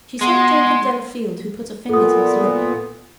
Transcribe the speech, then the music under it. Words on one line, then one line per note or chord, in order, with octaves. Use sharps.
She saw Jacob Delafield, who put his finger to his lip.
G#3 B3 C6
A#2 B3 A4 D#6